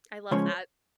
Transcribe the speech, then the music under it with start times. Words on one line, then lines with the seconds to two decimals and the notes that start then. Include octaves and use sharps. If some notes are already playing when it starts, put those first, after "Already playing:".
I love that.
0.31 C#3 F3 G#3 C#4 C#5